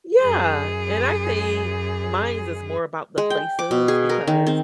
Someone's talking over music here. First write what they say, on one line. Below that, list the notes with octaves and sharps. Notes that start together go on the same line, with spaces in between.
Yeah. And I think mines is more about the places, because
F#2 G#4
G#3
G5
D6
B2
G#4
A#4
D#3
C4